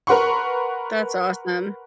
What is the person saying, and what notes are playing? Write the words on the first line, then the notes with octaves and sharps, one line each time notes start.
That's awesome.
A#4 B4 F#5 C6 C#6